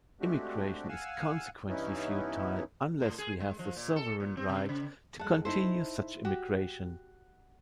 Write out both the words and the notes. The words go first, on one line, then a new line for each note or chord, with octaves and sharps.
Immigration is consequently futile unless we have the sovereign right to continue such immigration.
G#3 A3 C4 D4 F#4 G4
F5 F#5 G#5 E6
G2 E3 B3 C#4 D#4 E4
A2
G#4
G#3
F3
A#2
A4
A#2
C4
C3
C#3
F2 G#3 A4 F#5
D#4 E4 A4 C5
F#4 G4